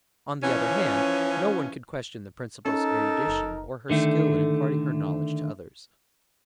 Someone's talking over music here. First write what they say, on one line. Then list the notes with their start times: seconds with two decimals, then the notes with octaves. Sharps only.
On the other hand, no one could question the principal's erudition or her skill in imparting her knowledge to others.
0.43 E3 F3 C#4
2.66 C#4 D#4 A4 A#4
3.28 F#1
3.90 D3 D#3 A3